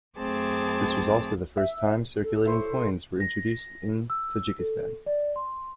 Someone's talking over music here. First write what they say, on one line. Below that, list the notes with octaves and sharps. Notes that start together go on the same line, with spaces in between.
This was also the first time circulating coins were introduced in Tajikistan.
F#2 A3 C4 G#4 A5 D6
E5
A4
E4 C5 C#5
A#6
E6
A4
D5
C6